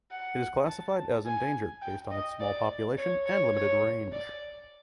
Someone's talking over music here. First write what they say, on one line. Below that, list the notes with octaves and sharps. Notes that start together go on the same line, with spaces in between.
It is classified as endangered based on its small population and limited range.
F#5
A5
G#5
G5
D#5
D5
C#5
C#5
C#5
D5